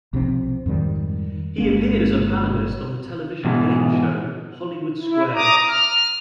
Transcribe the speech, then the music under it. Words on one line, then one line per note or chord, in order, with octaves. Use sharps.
He appeared as a panelist on the television game show "Hollywood Squares".
B1 C3 F3 C4
F2 G#2 D#3 G3
G1 G#3 A#3 C#4
G#2 B2 E3
E4
A#5 D6 D#6
F6